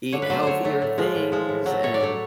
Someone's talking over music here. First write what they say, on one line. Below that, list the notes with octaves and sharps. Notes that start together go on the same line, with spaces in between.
eat healthier things, and,
D3 C#5
B4
F#3 A3 C5
D3 C5 C#5
F#3 A3
A2
F3 G#3
A2
F3 G#3
A2
F#3 A3
A2 C#5
D5
F#3 A3 C#5